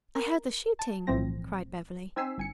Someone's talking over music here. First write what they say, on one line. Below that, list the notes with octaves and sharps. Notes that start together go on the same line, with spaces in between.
"I heard the shooting," cried Beverly.
A#4
A5
B1 A2 E3 F3 C4 A#6
C4 D#4 G#5 E6 B6 C7
G1 G#5 C#7